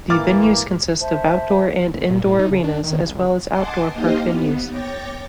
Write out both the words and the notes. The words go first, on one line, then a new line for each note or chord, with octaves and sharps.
The venues consist of outdoor and indoor arenas as well as outdoor park venues.
G#2 E3 A#3 D6 F6 A6
C5 E5 A5
F#1
A#2
A2
D#4
C#3
D4
D#3
C2
C#2
D#5 F#5 G#5 A5 C6 D6
A#3 D#4 G4 C5 D#5 F5
B3
C#5 G5 D6 A6 A#6